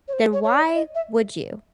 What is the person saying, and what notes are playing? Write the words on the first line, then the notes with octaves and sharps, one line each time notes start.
then why would you?
C#5
C5
C#5
C#5
D5
D#5
E5